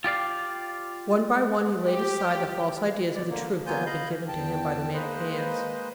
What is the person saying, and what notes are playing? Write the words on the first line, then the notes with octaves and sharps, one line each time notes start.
One by one he laid aside the false ideas of the truth that had been given to him by the Manicheans.
F4 G4 D5 F5
G4
B2 D5
D3 A#3
F3
F#3 A#3 B3 F4 G#5 G6
D#5 F5 B5 G6
E2 G5 A5
G#3 A#3 B4 C5 D#5